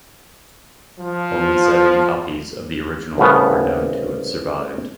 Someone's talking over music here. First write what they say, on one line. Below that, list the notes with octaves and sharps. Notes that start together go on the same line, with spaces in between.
Only seven copies of the original are known to have survived.
F3
C2 A2 C#3 B3